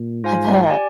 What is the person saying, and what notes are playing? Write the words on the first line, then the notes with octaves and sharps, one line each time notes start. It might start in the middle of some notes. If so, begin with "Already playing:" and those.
I bet.
Already playing: A#2
G#2 F4 C5 F5 G#5
G4 D5 G#5